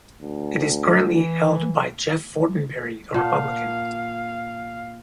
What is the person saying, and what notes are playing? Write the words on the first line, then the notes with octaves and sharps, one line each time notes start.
It is currently held by Jeff Fortenberry, a Republican.
D2
E3
A#2 D5 F5 F#5 A5